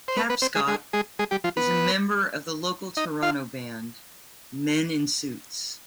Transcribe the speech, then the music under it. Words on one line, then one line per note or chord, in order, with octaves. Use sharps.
Tapscott is a member of the local Toronto band, Men in Suits.
C5
B3 B4
B3 B4
C4 C5
G#3 G#4
G#3 G#4
G#3 G#4
G#3 G#4
G3 G4
F3 F4
B3 B4
D#4 D#5
F4 F5